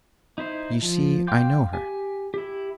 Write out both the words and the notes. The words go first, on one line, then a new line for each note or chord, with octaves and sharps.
You see I know her.'
D#4 E4 C5
F3
F5 G5 C6 D6 G6
G4 G#5
E4 G4